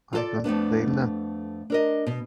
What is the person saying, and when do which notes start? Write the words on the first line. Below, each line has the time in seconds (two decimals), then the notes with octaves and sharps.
I don't blame them.
0.13 F4 A4 D5
0.44 F2 A3 B3 D4
1.70 D4 A#4 D#5
2.07 B2